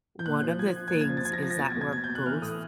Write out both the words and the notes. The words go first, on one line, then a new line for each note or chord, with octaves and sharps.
one of the things is that we're both
G6
A#2 F#6
F3
F3 G#6
F3
G#6
A#2 A6
G#6
F3
A6
F3 G#6
A#6
F3 A6
A#6
B2 A6
G#6
B2
G#6
B2 G#6
G6
B2
F#6
E3 F6
A2 D#6